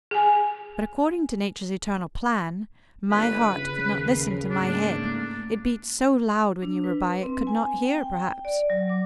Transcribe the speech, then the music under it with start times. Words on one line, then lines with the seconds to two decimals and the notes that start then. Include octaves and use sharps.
But according to Nature's eternal plan, my heart could not listen to my head--it beat so loud when you were by, it could not hear, perhaps.
0.11 G#4 G#5
3.11 G1 B4
3.51 C#3
3.83 D#2 A#4 C7
4.50 G#2 A3 A#3 D4
6.62 D4
6.84 B4
7.23 C4
7.47 G#5
7.84 G5
7.98 G5
8.45 D5
8.70 F#3
8.89 D6